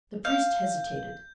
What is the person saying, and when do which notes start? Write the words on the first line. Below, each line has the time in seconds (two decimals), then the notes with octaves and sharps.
The priest hesitated.
0.25 F5 G6